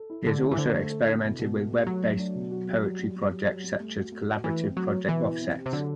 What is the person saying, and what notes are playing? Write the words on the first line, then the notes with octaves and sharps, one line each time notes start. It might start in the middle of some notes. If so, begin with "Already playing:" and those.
He has also experimented with web-based poetry projects such as the collaborative project "OffSets".
Already playing: A4
E4
D3 A3
E4
E3
D3 C5
A3
A4
E4
B2
B2
A3
G4
F#3 A3
A3
D4
B2
F#4
G3
G3
G3
G3
G3
G3
G3
A3
F#4
A3
F#4
E3 A3
C4
F#3 A3
F#4
B2 E3
B2
C4
G4
C3
D3 F#3